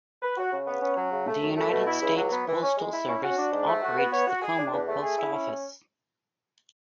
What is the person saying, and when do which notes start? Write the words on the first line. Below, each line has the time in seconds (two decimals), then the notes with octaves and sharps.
The United States Postal Service operates the Como Post Office.
0.22 B4
0.37 F#4
0.52 C#3
0.67 B3
0.82 C#4
0.97 F#3
1.12 C#3
1.27 A3
1.41 F#2
1.57 A3
1.72 B2
1.87 E4
2.02 C#2
2.17 F#3
2.32 B3
2.47 E3
2.62 C#4
2.78 G#3
2.92 E4
3.08 C#4
3.23 F#4
3.38 D4
3.52 G#2
3.67 A3
3.82 F#4
3.97 B3
4.12 C#5
4.27 F#4
4.42 G#4
4.58 D4
4.72 E2
4.87 A3
5.02 G#4
5.17 E4
5.33 C#4